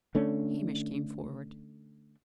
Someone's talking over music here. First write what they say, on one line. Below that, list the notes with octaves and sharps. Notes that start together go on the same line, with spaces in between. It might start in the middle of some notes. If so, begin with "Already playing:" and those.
Hamish came forward.
D3 A3 C#4 D4